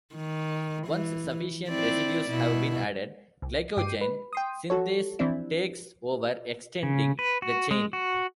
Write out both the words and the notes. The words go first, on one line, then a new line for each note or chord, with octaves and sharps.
Once sufficient residues have been added, glycogen synthase takes over extending the chain.
D#3
E3
C4 E4 D5
B2 E4
C2
G2 G5 D6 C7 D#7
B4
G5 C6 D#6
F#4 A4 C#5
E3 F3 C4 D4 E4
C#3
B4
F#4
G#3
F#4